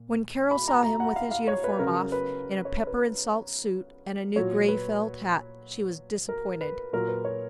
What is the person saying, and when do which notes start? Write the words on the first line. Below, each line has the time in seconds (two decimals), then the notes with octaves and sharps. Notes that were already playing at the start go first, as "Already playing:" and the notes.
When Carol saw him with his uniform off, in a pepper-and salt suit and a new gray felt hat, she was disappointed.
Already playing: A#2
0.51 B5
0.68 A#5
0.83 A#5
1.00 F#5
1.16 F5
1.31 F5
1.48 C#5
1.64 B4
1.79 C#3 F#3 A#4
2.12 B4
2.65 C#5
2.87 B4
4.36 A#2 F#3 C#5
4.68 B4
6.29 A#4
6.61 B4
6.93 A#2 F#3 A#4
7.08 B4
7.25 C#5